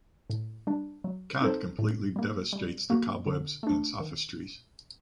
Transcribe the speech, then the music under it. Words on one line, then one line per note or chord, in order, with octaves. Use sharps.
Kant completely devastates the cobwebs and sophistries.
A2
G3 D4
F#3
C4 D#4 A4 C5
A2
G3 A#3
G3
A#3 F#4
D3
A3 D4
D#3